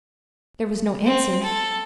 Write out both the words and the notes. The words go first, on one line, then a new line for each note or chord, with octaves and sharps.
There was no answer.
C4
A4